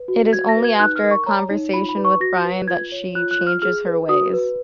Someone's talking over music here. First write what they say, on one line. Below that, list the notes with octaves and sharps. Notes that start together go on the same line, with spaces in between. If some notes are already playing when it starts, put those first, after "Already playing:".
It is only after a conversation with Brian that she changes her ways.
Already playing: B4
F#4
F#4 G#6
A#6
B4
G#6
D#4 F#6
F6
A#4
C#6
C#5 A#5
D#4
F4 B5
B5
B4
C#6
F#4 A#6
B4
F4 G#6
C#5
F4 F#6
F#6
F4
F6
G#4 F6
B4
F#4 D#6
B4